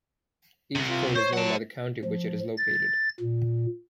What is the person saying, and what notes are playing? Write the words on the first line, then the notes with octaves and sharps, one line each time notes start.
Each court is known by the county which it is located.
C2 C3
F4
C5 C#5
F#3 F#5 A5
F3
A6
A#2